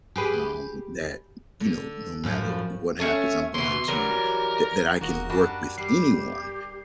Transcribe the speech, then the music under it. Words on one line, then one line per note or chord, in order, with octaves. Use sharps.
um, that, you know, no matter what happens, I'm going to that that I can work with anyone,
G4 G#4 B4
D3
F#2 A2 F3
A3 C#4 E5
B2 E3 C6
E3 F#3 G3 A#4
E1 A#3 F#4 D#5
F#2 G3 D4 F#4
G3 G4 C7